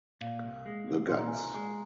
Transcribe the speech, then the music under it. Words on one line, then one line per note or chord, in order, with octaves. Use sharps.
The Guts!
A#2 F5
C2
G#3
C2
A#2 C6
A#5
G#5
C2 A#5
G#3 G#5